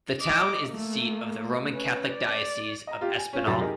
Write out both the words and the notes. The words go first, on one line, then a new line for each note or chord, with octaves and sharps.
The town is the seat of the Roman Catholic Diocese of Espinal.
D#5 D6
A3 A#3
C#4 B4
D5
D#5 A#5
F4 G4
G#5
C#4 F4
D#1 C2 F#2 F#4 A6
D#4 G4 G#4 A#4